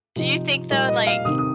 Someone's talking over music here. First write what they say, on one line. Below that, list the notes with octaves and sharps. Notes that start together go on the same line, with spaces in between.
Do you think, though, like,
C3 F3 D#4
A#2 G3 A#3 D#4 D#5
D#5
F5
C3 D#3 C4 D#6
D#6